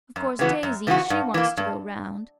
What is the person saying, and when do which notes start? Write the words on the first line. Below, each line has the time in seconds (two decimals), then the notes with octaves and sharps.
Of course Daisy--she wants to go round.
0.16 F#2
0.39 C#3 E3 B3 F#4
0.63 F#2
0.87 C#3 E3 B3 F#4
1.10 G2
1.34 E3 A#3
1.57 G2